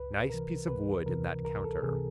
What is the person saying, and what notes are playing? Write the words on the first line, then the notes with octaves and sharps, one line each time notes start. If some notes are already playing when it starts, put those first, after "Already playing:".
Nice piece of wood in that counter.
Already playing: C#2 B4
C3 E3 A#4
C#2 B4
C3 E3 A#4
C#2 A#4
A4
C3 E3 G#4